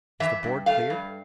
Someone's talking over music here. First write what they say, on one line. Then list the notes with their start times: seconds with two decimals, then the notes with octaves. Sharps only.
"Is the board cleared?"
0.20 E3 E5
0.44 G2
0.66 A3 F5
0.90 G2